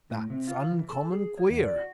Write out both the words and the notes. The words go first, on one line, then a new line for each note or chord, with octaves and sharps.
"That's uncommon queer."
A2
C3
F4
E3
A4
G#4
C#5
E2
D5
F#4